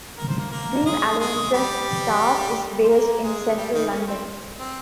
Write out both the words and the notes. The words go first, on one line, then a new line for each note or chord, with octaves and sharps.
Green Alliance's staff is based in central London.
A#4
C5
A#3 A#4
A#3 A#4
G#3 G#4
G#3 G#4
G3 G4
C5
A#3 A#4
G#3 G#4
G3 G4
D#3 D#4
C#4
C4
C4